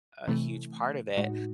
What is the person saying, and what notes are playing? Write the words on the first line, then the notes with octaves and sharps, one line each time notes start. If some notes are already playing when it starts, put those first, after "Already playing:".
a huge part of it,
C3 E3 A3
A2 G#3 D#4 F#4